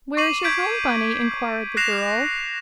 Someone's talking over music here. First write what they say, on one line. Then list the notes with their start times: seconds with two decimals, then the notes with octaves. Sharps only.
"Where is your home, bunny?" enquired the girl.
0.17 C#6 D6 C7 D#7 F#7
0.44 G6 G#6 B6 D7
1.77 F#6 A#6 C7 E7 F7